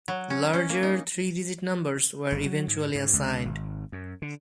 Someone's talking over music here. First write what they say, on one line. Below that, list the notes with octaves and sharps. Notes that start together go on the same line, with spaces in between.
Larger three-digit numbers were eventually assigned.
F#3
C#4
C#4
A#3
D#4
G1
F#3
G#2
G#2
C#2
G#1
F#2
D3